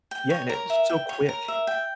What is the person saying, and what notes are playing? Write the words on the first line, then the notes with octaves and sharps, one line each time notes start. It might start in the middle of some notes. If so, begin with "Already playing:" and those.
Yeah, and it's so quick.
G5
C#5
A#4
E5
G5
C#5
A#4
E5
G5